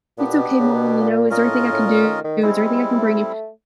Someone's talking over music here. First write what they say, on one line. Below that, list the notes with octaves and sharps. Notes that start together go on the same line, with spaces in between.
"It's okay, mom, you know? Is there anything I can do? Is there anything I can bring you?"
A#2 B3 D4 G4
B2
C#3
B2
A#2
A#2 C#4 F4 A#4 D#5
A2
A2
A2
A#2
D#3
D#3
G3 G#3 C4 E4
A3